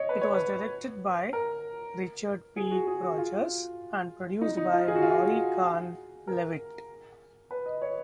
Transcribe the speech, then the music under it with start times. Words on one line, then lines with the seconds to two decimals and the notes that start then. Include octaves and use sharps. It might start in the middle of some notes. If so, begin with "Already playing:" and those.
It was directed by Richard P. Rogers, and produced by Laurie Kahn-Leavitt.
Already playing: C#5 D#5
0.09 B4
0.22 C#5
0.33 B4
1.33 A#4
2.56 G#4
2.71 F#4
2.87 G#4
3.02 F#4
3.18 F4
4.41 D#4
4.57 D#4
4.73 F4
4.88 G#4
4.95 F#4
5.02 F4
5.10 F#4
6.27 A#4
7.51 B4
7.66 D#5
7.82 C#5